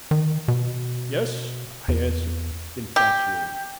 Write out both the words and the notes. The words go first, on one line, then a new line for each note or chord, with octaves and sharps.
"Yes," I answered, infatuated.
D#3
B2
E2
G4